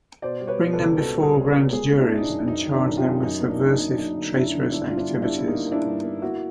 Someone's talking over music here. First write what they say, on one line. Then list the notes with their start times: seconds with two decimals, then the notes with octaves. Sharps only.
Bring them before grand juries and charge them with subversive, traitorous activities.
0.22 B2 C5 D5
0.41 G3
0.47 B4 C#5
0.61 B2
0.73 A4 B4
0.79 C#2
0.98 B2 A4 B4
1.17 G3
1.22 G#4 A#4
1.36 C#2
1.47 G#4 A#4
1.55 B2
1.72 G#3 G#4 A#4
1.92 G#3
1.98 D4 E4
2.10 G#3
2.18 D#4
2.23 D4
2.29 F#2
2.48 F#2 D#4
2.66 D#3
2.73 D4
2.86 F#2
2.97 F4 G4
3.04 F#2
3.23 F#2 D#4
3.41 A#3
3.48 D4
3.56 D#4
3.60 A#3 D4
3.72 D#4
3.79 F#2
3.90 D4
3.97 F#2 D#4
4.16 D3
4.34 F#2 D4 E4
4.53 D3
4.72 G2 D4 E4
4.91 G2 F4
4.97 D4 E4
5.10 G3
5.22 D4 E4
5.29 G3
5.39 E4
5.47 A#3 D#4
5.66 A#3
5.72 D4 E4
5.84 G2
6.04 A#3
6.22 A#3 E4 F#4